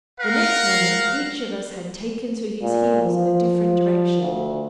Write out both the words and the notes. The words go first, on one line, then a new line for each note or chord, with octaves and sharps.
The next moment each of us had taken to his heels in a different direction.
A#4 F5 F#5
A#2
F3
D2